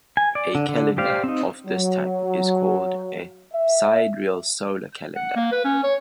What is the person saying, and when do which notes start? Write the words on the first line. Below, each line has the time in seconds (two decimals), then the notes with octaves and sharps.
A calendar of this type is called a sidereal solar calendar.
0.17 G#5
0.35 D5
0.55 D3
0.69 D3
0.98 G4 C5 D5 F5
1.24 C4 D#4
1.66 F#3
3.53 E5
5.16 F#5
5.36 A#3
5.52 B4
5.65 C#4
5.83 C#5